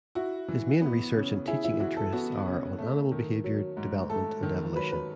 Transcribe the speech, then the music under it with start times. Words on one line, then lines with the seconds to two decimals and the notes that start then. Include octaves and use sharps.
His main research and teaching interests are on animal behaviour, development, and evolution.
0.15 E4 F#4
0.48 E3
0.81 B3
1.15 C#3
1.47 E4 G#4
1.64 E4
1.80 E3 F#4
1.97 A4
2.13 B3 F#4
2.46 C#3
2.79 A3
3.12 D#3
3.44 F#3
3.77 G#2
4.09 A3 A4
4.43 D#3
4.76 F#3 B4
4.92 B4